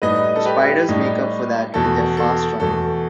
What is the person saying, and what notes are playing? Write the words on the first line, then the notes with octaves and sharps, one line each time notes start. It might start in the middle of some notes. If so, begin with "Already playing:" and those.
The spiders make up for that with their fast running.
A2 G3 D#4 B4 D#5
A4
G4 B4
A2 G3 D#4
E2 B2 A3 A4
A4
E2 B2 A3 A4